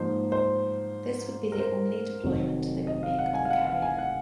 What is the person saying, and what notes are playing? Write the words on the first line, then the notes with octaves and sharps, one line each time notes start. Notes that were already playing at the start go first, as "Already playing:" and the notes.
This would be the only deployment they would make on the carrier.
Already playing: G#2 F3 A#3 D#4 C5
C5
A#4
C5
F1 F2 D#3 F#3
D#5
F5
F#5
G#5
F5
F#5
F5
G#5
F#5